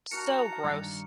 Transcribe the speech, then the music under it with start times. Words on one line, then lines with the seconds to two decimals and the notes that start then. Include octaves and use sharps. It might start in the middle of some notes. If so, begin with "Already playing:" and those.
So gross.
0.11 D#4 F#4 A#4 A5 A#5 C#7
0.64 G2 D#3